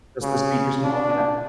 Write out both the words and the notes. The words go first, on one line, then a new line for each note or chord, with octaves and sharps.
just the speakers and all that.
C#3
D4